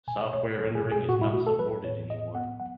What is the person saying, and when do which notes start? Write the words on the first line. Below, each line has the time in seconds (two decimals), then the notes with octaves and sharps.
Software rendering is not supported anymore.
0.07 B2 G#5
0.34 A3 C#5
0.58 F#3 A4
0.75 G#4
0.84 B2
0.92 G#4
1.09 A2 F#4
1.21 E4
1.34 A3 F#4
1.47 A4
1.59 F#3 B4
1.85 A2 C#5
2.09 A2 D#5
2.35 B3 F#5
2.60 F#3 F#5